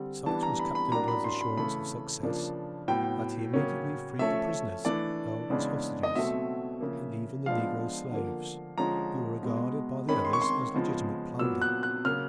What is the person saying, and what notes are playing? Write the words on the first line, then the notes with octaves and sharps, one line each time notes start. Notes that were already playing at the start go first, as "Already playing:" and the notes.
Such was Captain Blood's assurance of success that he immediately freed the prisoners held as hostages, and even the negro slaves, who were regarded by the others as legitimate plunder.
Already playing: D3 G3 C4
E3 G3 B3 D4 A5
A#5
B5
B5
A2 F#3 A#3 D4 A#5
B5
C6
B5
C#3 E3 A3 B5
C#3 F3 A#3 D4
A2 F#3 B3 G5
C#3 F#3 A#3 C#4
F3 A3 C#4 E5
E3 A3 D4 D5
C#3 E3 G#3 B3 D4
D#5
B2 F#3 A3 C4 E5
C#3 F3 A#3
F3 G#3 B3 D4 F5
D3 F3 A#3
D3 F3 G#3 C#4 A#5
B2 G#3 B3
D#3 G#3 C#4 B5
C6
C#6
C6
C#3 F3 G#3 B3
A#2 F#3 B3 E6
F#6
F#6
C#3 F#3 A#3 F6